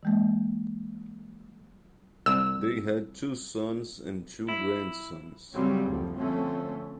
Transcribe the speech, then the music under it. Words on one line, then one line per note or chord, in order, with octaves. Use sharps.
They had two sons and two grandsons.
E3 G#3 A#3
C2 E6
E4
C#3 F#3 G3 C4 C#4
F#1 D2 F3
D3 F3 A3 C4 C#4